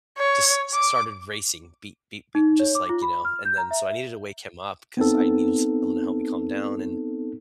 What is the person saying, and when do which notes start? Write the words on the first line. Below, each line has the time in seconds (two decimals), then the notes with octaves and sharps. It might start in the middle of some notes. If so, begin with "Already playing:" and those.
just s started racing, "beep beep beep," just like, you know, and then so I needed to wake him up, 'cause I needed someone to help me calm down, and
0.18 C#5
0.74 D6
2.35 D#4
2.60 C#5
2.75 D6
2.89 F4
3.02 B5
3.25 F6
3.45 G6
3.58 A#5
3.71 E5
4.97 B3 C4 D#4 A4